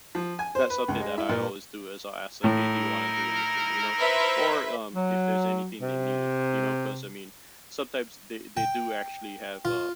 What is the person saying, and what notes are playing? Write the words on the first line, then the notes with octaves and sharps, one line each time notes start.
that's something that I always do is I'll ask, like, "Hey, do you want to do anything," you know. Or, um, if there's anything they need, you know, 'cause I mean, sometimes they they do actually have a
F3
G#5
C5
B4
C#2
G#3
E4
A#2
A2 D#4 E4 A#4
B4 C5 E5
F#3
C3
G5
F4